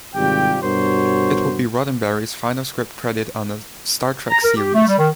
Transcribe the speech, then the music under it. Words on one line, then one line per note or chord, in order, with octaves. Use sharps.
It would be Roddenberry's final script credit on a "Star Trek" series.
G#1 C3 G3 F4 G4 G5
G2 B2 F#4 A#4 C5 C#5
A#5
A#4
G4
A3
G3
D#3